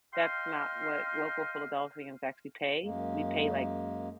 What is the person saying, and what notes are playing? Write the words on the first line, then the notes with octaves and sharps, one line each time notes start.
That's not what local Philadelphians actually pay. We pay, like,
D#5 F5 G5 C6 F6
F#2 G#3 A#3